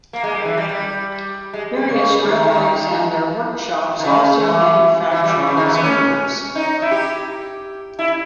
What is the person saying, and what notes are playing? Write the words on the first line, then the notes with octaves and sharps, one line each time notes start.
Various railways and their workshops also manufactured speeders.
A#3
G#3
G3
E3
G3
G3
G#3
G3
C#3
D#3
D#3
D#3
C#3
E3
E3
G3
C#3
C#3
D#3
E3
B3
C#4
D#4
E4
G4
E4